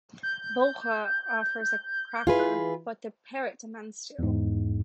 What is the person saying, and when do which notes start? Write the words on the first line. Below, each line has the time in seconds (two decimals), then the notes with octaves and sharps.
Beaupre offers a cracker, but the parrot demands two.
0.23 G6
2.27 E3 F4 G#4 B4
4.19 E2 G#2